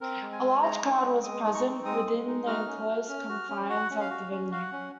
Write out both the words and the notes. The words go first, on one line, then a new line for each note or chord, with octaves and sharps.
A large crowd was present within the enclosed confines of the venue.
C4 A#4
G#3
G#5
G#3
D#4 A#5
C4
C#6
G#3
G#3 D#6
D#4
C#6
C4
G#3 D#6
G#3
D#4
F#4 F6
C#4
F#4
C#4
F#4
C#4
F#4 F#5
C#4
F5
F#4
C#4
F#4 F5
F#5
C#4